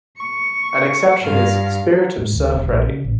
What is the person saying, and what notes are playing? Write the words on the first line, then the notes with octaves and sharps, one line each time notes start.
An exception is "Spirit of Sir Freddie".
C#6
G2 F5
G#2
D2
E1
A#1
C#3
A1